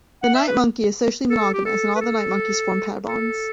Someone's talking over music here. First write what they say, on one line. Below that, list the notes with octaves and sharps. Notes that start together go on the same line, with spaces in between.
The night monkey is socially monogamous, and all night monkeys form pair bonds.
F#5
E5
B4
A4
G4
A4
B4
A4
A4